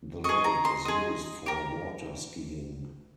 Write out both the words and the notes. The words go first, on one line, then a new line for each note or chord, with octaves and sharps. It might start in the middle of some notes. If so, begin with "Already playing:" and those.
The lake is used for water skiing.
G#4 D#5 C#6
A#5
C6
G#4 D#5
G4 A#4